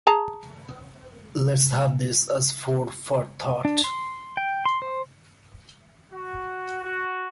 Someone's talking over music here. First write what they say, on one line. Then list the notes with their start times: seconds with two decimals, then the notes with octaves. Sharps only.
Let's have this as food for thought.
0.07 G#4 A5 A#5
3.65 D4
3.84 C6
4.37 G5
4.65 C6
4.82 C5
6.11 F#4
6.83 F#4